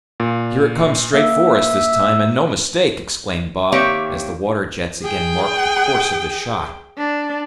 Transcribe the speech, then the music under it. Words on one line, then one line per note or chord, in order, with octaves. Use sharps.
"Here it comes straight for us this time, and no mistake," exclaimed Bob, as the water-jets again marked the course of the shot.
A#2
A#3 E5
D#3 A#3 C4 G4 C#5 E5
G#4 G5
D4